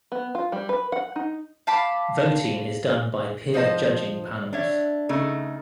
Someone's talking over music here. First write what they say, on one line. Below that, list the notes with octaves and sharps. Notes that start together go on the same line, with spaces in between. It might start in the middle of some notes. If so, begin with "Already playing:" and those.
Voting is done by peer judging panels.
B3
F4
G3
B4
F#5
D#4
F5 A5 B5 D6
F3 C5 D#5 A5
D4 C#5 E5
C#3 A3 D#4